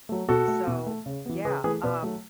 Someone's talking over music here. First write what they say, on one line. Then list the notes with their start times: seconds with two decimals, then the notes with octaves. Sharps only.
So, yeah, um
0.09 F#3 A3
0.29 B2 F#4 A4
0.48 A3
0.67 B2
0.86 A3
1.06 C#3
1.25 E3 B3
1.44 C#3 G#4 B4
1.64 E3 A3 G#4 B4
1.83 B2 B4 D5
2.03 F#3 A3